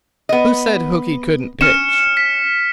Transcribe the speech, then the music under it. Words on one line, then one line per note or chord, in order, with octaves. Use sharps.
Who said Hooky couldn't pitch?
B3 D#5
C#4 F6 C#7 E7
B6